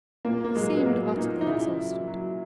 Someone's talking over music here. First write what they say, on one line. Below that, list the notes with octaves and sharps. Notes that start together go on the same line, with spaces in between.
He seemed utterly exhausted.
A#2 A#3
A#3
F#3 G#3
B3
F#3 A#3
A#2 D#4
D#4
C#3 E4
F#3
F#3